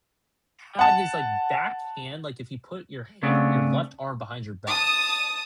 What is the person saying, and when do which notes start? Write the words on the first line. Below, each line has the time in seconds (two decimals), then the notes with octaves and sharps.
had his, like, back hand, like, if you put your ha your left arm behind your back,
0.79 F#5 A5
3.23 C#3 A3 B3 C4 D4
4.71 A5 D#6